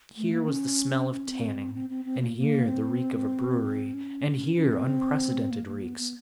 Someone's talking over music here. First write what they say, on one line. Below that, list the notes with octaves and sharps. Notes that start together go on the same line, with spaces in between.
Here was the smell of tanning, and here the reek of a brewery, and here unprecedented reeks.
A3
A#3
C#4
C#4
C4
C4
C4
C4
A#3
A#3
C4
C#4
C#4
C4
A#3
A#3
B3
B3